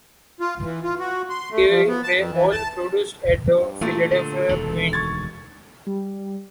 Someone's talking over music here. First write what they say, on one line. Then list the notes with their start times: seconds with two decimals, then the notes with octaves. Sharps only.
They were all produced at the Philadelphia Mint.
0.40 F4
0.63 E3
0.83 F4
0.99 F#4
1.30 C6
1.51 A3
1.70 F3
1.88 B3
2.03 A5
2.16 F2
2.31 E3
2.52 A5
3.53 G2
3.81 A#2 E3 A3
4.11 D3 A4
4.49 E1 D2 D#3
4.93 C#6 G#6 A6
5.86 G3